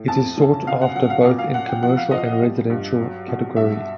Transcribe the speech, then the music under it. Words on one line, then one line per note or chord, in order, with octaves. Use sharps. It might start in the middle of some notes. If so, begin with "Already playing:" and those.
It is sought after both in commercial and residential category.
Already playing: A2
F2 A5
C#3
B2 F5
F#5
F#3 F#5
F5
A#2
F5
A#2 F#5
G5
F3 F#5
F5
F3 D#5
G3
G2
F#3
B2
G2 E5